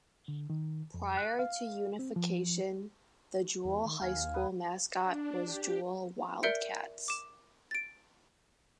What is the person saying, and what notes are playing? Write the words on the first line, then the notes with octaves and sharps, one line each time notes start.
Prior to unification, the Jewell High School mascot was Jewell Wildcats.
D3
D#3
F2
F#6
F5
C4
F3
E2
D#3
D#2 F5 G#5
B4 D#6
D4
G4
A#4 D5 E5 G6 C#7 D7
D6 E7
A6 D7